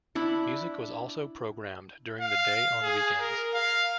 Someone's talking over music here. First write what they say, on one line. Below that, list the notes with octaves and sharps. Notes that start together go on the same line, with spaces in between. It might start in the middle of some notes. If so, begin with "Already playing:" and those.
Music was also programmed during the day on weekends.
D4 E4 B5
F5
G#4
A#4
F5